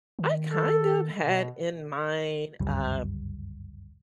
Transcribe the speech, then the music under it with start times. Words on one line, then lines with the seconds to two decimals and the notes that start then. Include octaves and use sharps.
I kind of had in mind, uh,
0.19 D#3
0.51 A4
1.20 B2
2.60 G1 C#2 F#2 G3